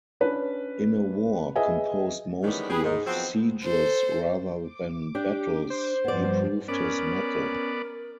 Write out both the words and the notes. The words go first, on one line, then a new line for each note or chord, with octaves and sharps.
In a war composed mostly of sieges rather than battles, he proved his mettle.
C#4 D4 B4
G#4 B4 D#5 E5 G#5
D#3 E3 G3 G#3 B3 C#4
G4 G#4 B4
G#2
F3 F#3 B3 C4
A4 C5
D6
D4 G4
C5
G2 F3 G3 B3 D5
B3 C#4 A#4 D5